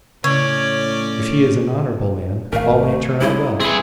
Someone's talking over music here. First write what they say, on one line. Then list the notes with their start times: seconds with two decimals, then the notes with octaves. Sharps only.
If he is an honourable man, all may turn out well.
0.24 A2 C#3 C#4 C#5 D5
2.53 G#1 A3 A#4 F5
3.21 G3 G#3 D#4 E4
3.60 C4 G#4 B4 E5